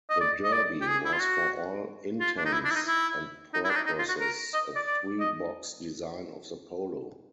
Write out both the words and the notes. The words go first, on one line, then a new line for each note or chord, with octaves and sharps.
The Derby was for all intents and purposes a three-box design of the Polo.
D#5
D5
D#5
D5
G4
G#4
E4
F4
F#4
F4
D4
D#4
E4
D4
E4
D#4
E4
D#4
E4
D4
D#4
D#4
F4
F#4
A#4
D#5
D5
D5
D#5